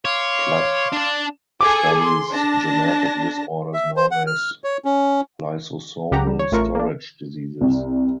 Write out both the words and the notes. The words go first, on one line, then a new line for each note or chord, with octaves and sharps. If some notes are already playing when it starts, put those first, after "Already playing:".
Platt studies genetic disorders known as lysosomal storage diseases.
C#5 F5 C6 D6
D4 A5
G#4 A4 G#5 D6
C6
D4 A5 A#6
E5
C5
F#5
F6
C#5
C#4
C#2 C#3 G4 F#5 A#5
G3
C#5
A1 A3 F4 A#4 C#6
A#3 D4
C2